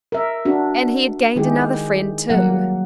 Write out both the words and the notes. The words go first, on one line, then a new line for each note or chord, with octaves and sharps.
And he had gained another friend, too.
A#4 E5
D4 F#4
D#3 G#3 E4 G4 G#4
F#3 G3 A#3 A#4 F#5